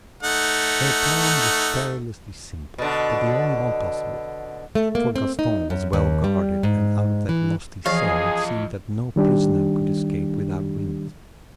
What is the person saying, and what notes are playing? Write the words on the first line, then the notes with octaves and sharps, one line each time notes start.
Her plan was perilously simple, but the only one possible; for Gaston was well guarded, and out of that lofty cell it seemed that no prisoner could escape without wings.
A3 D#4 F#5
B2 D3
A3
A#3
C4
D#4
F#2
D#2
G3
G#2
E3
E3 F3 F4 G#4 D#5 F5
D#3 G3 D4 G4